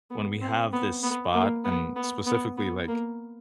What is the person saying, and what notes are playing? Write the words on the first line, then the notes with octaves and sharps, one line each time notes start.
when we have this spot, and specifically, like,
B3
C4
B3
B3
A#3
B3
B3
B3
B3
A#3